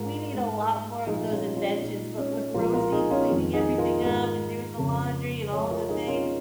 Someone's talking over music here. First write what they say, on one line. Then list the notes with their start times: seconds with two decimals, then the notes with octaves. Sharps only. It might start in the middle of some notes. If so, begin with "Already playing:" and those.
We need a lot more of those inventions, but with Rosey cleaning everything up and doing the laundry and all the things,
Already playing: G#2 G#3 F4 A#4
0.33 G#2 G#3
1.06 A#2 F3 G#3 D#4 G#4
1.31 C#4 F4
1.56 C#4 F4
1.81 A#2 G#3 D#4
2.18 C#4
2.54 A#2 F3 G#3 F4 A#4
2.73 F4 A#4
2.92 D#4 G#4
3.10 C#4 F4
3.29 F2 D#3 G#3
3.54 D#4 G#4
3.78 F4 A#4
4.03 G#2 D#3 G#3 F4 A#4
4.78 F2 C#3 G#3
5.52 F2 F3 G#3 G#4 C#5
5.71 F4 A#4
5.89 D#4 G#4
6.07 C#4 F4